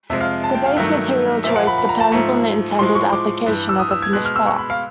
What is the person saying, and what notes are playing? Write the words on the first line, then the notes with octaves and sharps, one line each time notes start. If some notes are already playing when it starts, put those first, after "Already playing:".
The base material choice depends on the intended application of the finished product.
F2 C3 F3 G#3 E5
F5
A5
G5
F5
G2 D#3 F#3 A3 E5
A#2 F3 A#3 E5
F#5
B5
B5
A#5
A5
G#2 F3 A3 A#5
A2 F3 G#3 C6
C#6
D6
G2 E3 G3
E6
D#6
E6
G#6
B2 G#3 F#6
F6
E6
C#6
B5
F5